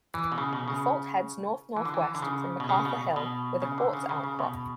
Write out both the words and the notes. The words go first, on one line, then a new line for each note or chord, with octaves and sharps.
A fault heads north-north-west from Macarthur Hill with a quartz outcrop.
E3
B2
C#3
B2
C#3
E3
D3
E3
D3
C#3
B2
C#3
B2
B2
C#3
D3
C#3
C#3
C#3
B2